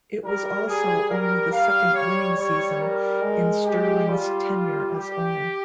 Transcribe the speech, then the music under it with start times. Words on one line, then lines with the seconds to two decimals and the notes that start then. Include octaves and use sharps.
It was also only the second winning season in Sterling's tenure as owner.
0.24 G3 A#4
0.67 G3 G#4
1.09 G3 A#4
1.52 F5
1.94 C#5
2.37 G3 C#5
2.80 A#4
3.22 G#3
3.65 G4
4.08 G3 F4
4.93 G4